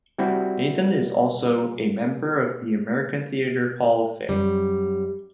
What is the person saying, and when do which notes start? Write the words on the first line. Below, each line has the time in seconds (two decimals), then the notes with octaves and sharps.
Nathan is also a member of the American Theater Hall of Fame.
0.18 G3 C4 E4 F#4
4.29 F#2 G3